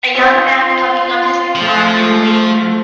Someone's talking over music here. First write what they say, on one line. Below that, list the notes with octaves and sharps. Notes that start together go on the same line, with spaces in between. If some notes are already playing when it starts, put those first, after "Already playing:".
A young man plucking on his guitar in a waiting room.
C4 F4 D#5 C6
F3 A3